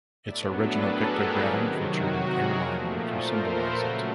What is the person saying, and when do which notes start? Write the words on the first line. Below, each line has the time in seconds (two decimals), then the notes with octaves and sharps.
Its original pictogram featured an airliner to symbolize it.
0.24 A2 F#3 B3 D4 D5 E5
0.53 A4 B4
0.83 G#4 A#4
1.12 G4 A4
1.41 C3 D#3 F#3 F4 G4
1.71 F#4
2.30 G#4 A#4
2.60 A#2 F3 A3
3.18 A#4 C5
3.47 A4 B4
3.76 C#3 F#3 A3 F#4 G#4